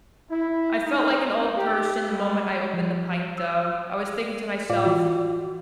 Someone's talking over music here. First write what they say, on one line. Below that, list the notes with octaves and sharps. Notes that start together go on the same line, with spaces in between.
I felt like an old person the moment I opened the pint though. I was thinking to myself,
E4
D#4
G4
G3
F3
E6
A2 F4 D5 F5
E3 F4 F#4